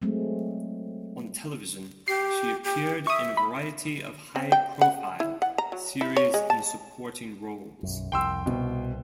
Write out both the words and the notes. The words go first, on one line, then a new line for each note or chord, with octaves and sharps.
On television, she appeared in a variety of high-profile series in supporting roles.
F#3 G#3 A3 C4
G4 C7
G4
E5 C#6 D#6
B5
C4
G5
F#5
E4
F#5
A#5
F#3
E4
C#5
G#3
A5
B1 F#2
C2 F2 G5 C6 E6
C2 B2